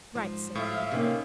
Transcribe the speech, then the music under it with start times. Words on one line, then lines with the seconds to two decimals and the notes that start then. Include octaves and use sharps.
"Write!" said he.
0.15 G#2 F3
0.55 A2 E5 F5
0.92 C3 A#3 C#4 D#4 A#4